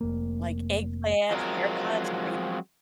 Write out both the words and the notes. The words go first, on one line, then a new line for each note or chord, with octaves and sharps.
like eggplant, haircuts, kara
F1 A#3
F3 F#3 G#3 C4 A#4